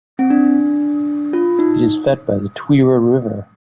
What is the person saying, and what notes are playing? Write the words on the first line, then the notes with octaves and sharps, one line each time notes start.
It is fed by the Tuira River.
C4
D4
F4
D#4